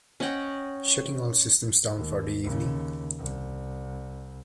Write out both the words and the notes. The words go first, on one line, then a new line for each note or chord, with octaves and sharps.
Shutting all systems down for the evening.
C#4 D#5 F#5 G5
D#2
D#2 C#3
C2